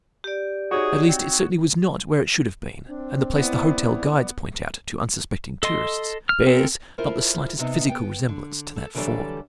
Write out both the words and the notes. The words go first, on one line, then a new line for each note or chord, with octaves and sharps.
At least, it certainly was not where it should have been, and the place the hotel guides point out to unsuspecting tourists bears not the slightest physical resemblance to that ford.
G4 D5
D#4 F#4 G#4 C#5 C#6
C4
C4 D4
A#3 B3 E4 D5
A4 D#5 C6
F6
C4 A4 A#4
E4 F4 A4 A#4 C5
G#2 C3 B3 C4 D#4
B3 G5
D3
A4
D3 E3 F#3 G3 A4 D5